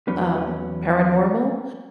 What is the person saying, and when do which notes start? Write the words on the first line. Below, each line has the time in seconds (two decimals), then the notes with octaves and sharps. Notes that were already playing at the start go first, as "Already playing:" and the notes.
um, paranormal,
0.08 E2 F#3 C#4 B4